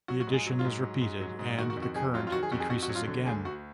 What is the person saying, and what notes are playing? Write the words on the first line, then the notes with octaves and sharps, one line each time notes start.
The addition is repeated, and the current decreases again.
F#3 F#4
F#4
G#2
G#4
F#3
F4
G#2
F#3
G#2
F#3
G#2
D#3 F#4
F#4
F2
F#4
F2 G#4
F#3 F4
F4
D#3 F#4
G#4
F2 F#4
G#4
F2 F#4
F#4
F#3
F4
D3
D2 G#4
D2 F#4